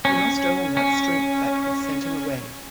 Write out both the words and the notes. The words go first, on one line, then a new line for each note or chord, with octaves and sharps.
He must own that strength that could send him away.
C#4
C#4